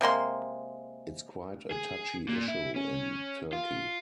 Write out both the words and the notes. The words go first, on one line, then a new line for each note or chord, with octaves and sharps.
It's quite a touchy issue in Turkey.
C3 G#3 A#3 C6
G#4
A#2
E4
C#4
F4